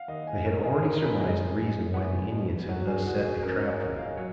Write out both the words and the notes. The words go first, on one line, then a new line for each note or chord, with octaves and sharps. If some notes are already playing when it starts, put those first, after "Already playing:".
They had already surmised the reason why the Indians had thus set a trap for them.
Already playing: F5 F#5
D#2 D#5
G#5
C#4 A#4
G#4
D#3 A#4
B4
G#3 G#4
B1
B3
B2
F#3 F#4
G#4
B1 F#4
G#4
C#4 A#4
C#5
A#2 D#5
F5
F#3 C#5